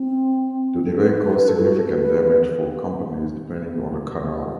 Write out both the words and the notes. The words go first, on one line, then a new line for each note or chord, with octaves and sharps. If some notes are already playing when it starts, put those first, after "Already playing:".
The delay caused significant damage for companies depending on the canal.
Already playing: C4
A4
B4
B4
A4
E4
F#4
A4
B4
B4